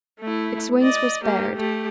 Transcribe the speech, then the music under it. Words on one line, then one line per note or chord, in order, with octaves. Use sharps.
Its wings were spared.
A3 E4
D5 D#5
A#3 G4
A3 G4